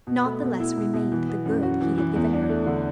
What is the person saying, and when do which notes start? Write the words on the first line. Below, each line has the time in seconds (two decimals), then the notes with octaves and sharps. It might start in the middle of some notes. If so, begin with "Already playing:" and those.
Not the less remained the good he had given her.
0.07 B2
0.25 A3
0.42 B2
0.59 E4
0.77 B2
0.93 B2
1.12 E3
1.29 B3
1.46 F#2
1.63 F#4
1.81 E3
1.98 E3
2.16 E2
2.33 D4
2.49 A3
2.67 D3